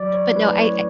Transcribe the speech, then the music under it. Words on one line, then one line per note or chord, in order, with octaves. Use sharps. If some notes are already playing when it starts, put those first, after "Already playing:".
But no, I I
Already playing: F#3 D5
C#5
A3 C#4 E4 B4
C#5